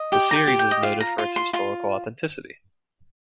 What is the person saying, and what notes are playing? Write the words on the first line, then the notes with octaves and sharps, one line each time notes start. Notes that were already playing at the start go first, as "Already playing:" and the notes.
The series is noted for its historical authenticity.
Already playing: D#5
G4 G5
A#5
G5
G4
G5
D#5
F4 F5
A#5
F4 C6
C6
F4 C6